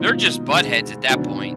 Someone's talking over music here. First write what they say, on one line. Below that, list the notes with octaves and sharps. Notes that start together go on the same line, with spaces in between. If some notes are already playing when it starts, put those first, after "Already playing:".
they're just buttheads at that point.
Already playing: G#2 B2 D#3 F3 A#3 D#4
D2 D3 G#3
D2 B2 D3 D#3 F#3 D4